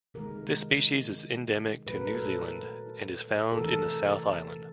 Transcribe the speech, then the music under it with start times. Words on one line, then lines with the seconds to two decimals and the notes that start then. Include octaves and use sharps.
This species is endemic to New Zealand and is found in the South Island.
0.14 C3 D#3 G#3 A#4
1.86 A#2 F#3 A3 B4
1.96 A#4
2.06 A4
2.15 A#4
3.52 A4
3.58 C3 E3 A3 A#4